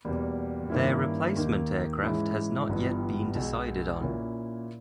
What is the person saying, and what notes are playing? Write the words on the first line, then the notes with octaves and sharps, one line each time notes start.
Their replacement aircraft has not yet been decided on.
E2 B2 G3 A#3
G2 D#3 A#3 C#4 E4
D#2 D#3 A#3 D#4
G#2 E3 G#3 C#4 E4
G1 G2 E3 G3 B3
B1 B2 G#3
A#2 A#3 C#4 E4